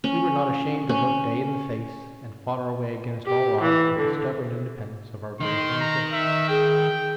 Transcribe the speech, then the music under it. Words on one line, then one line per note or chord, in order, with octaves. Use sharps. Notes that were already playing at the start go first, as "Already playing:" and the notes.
We were not ashamed to look day in the face, and fought our way against all odds with the stubborn independence of our British ancestors.
C#4
C#4
G4
E3
D3
D#3 D#4 C6
A#5
E5
G#4 G5